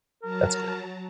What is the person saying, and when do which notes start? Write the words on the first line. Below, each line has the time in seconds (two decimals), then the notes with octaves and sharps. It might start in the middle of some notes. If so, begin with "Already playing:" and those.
That's good.
0.23 F#3 A#4 A5 A#5